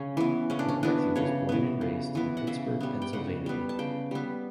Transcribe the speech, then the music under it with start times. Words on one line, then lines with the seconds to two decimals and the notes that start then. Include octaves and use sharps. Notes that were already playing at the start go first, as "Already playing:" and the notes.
McCarthy was born and raised in Pittsburgh, Pennsylvania.
Already playing: C#3 C#4
0.17 E3 B3
0.50 C#3 C#4
0.59 D4
0.69 C#4
0.83 E3 B3 D4
1.16 C#3 C#5
1.49 E3 B3
1.81 C#3
2.15 E3 B3
2.37 F#5
2.47 C#3 E5
2.80 G3 B3
3.02 G5
3.13 C#3 F#5
3.46 G3 B3
3.69 A5
3.79 C#3 G5
4.11 G3 B3